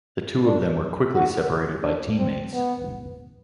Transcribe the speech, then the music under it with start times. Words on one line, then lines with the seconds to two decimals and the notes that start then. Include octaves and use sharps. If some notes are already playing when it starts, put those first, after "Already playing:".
The two of them were quickly separated by team-mates.
0.46 D4
1.15 F#4
1.83 D4
2.18 C4
2.53 B3